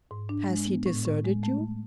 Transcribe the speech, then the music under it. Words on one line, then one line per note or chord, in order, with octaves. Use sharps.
"Has he deserted you?"
G#2
D4
G#3
B3
A2
A2
G#3
A3